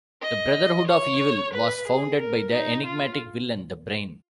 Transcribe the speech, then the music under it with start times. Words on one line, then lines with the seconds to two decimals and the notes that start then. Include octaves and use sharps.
The Brotherhood of Evil was founded by the enigmatic villain the Brain.
0.21 D#5
0.87 C#5
1.53 B4
1.87 G#4
2.20 A#4
2.52 D#4
2.86 F4